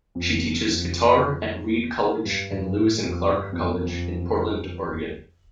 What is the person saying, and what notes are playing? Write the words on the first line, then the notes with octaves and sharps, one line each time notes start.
She teaches guitar at Reed College and Lewis and Clark College in Portland, Oregon.
F2
E2
F2
G2
G2
A2
F2
G2
F2
E2
F2